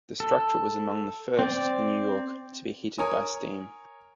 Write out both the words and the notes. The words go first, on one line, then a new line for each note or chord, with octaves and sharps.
The structure was among the first in New York to be heated by steam.
A4
C4 D5
A#4 C#5 G#5 D#6